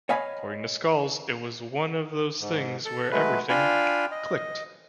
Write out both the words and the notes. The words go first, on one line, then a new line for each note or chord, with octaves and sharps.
According to Scholz It was one of those things where everything clicked.
C#5 D#5 F5 G#5 B5
G#2
A4
F#3 G#3 A3 B4
D4 F4 F5 G5 G#5 B5
D#5